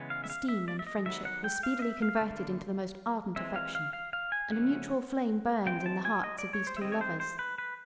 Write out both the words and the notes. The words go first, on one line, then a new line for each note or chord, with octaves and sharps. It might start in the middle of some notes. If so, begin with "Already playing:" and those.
Esteem and friendship were speedily converted into the most ardent affection, and a mutual flame burned in the hearts of these two lovers.
Already playing: C#3 E3 G#3 B3
F5
E5
F5
E5
D5
E5
D#5
D#3 F#3 B3 E5
F#5
G5
F5
D#5
E5
F5
D3 G3 A#3
E3 G#3 C4 E5
F5
F5
F5
F5
G#5
C#3 F3 A3 C#4 F#5
E3 G#3 C4 G5
A5
G#5
D#5
D5
C#5
C5
E5
D#3 G3 C4 D#5
C#5
C5
C5
B4
B4